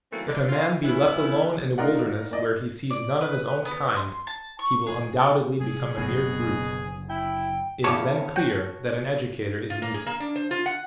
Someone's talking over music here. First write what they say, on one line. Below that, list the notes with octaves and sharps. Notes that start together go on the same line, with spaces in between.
If a man be left alone in a wilderness where he sees none of his own kind, he will undoubtedly become a mere brute; it is then clear that an educator is needed.
D#3 E3 F#3 A3 A#3 C4
D3 D#3
F4
E3 B3 C#4 E4
D#4 F4 A#4 D5 F#5
A#3 E4 D5 D#5
D5
B4
B3
C6
A5
C#6
G#4
A5
C3 G3 G#4
F#1 B2 D3 G#4
E4 G5
E2 C#3 C#5 A5 C#6 D6
F#4 G5
F4
A#3
G#4
A#3
D4
C5
F4
F#5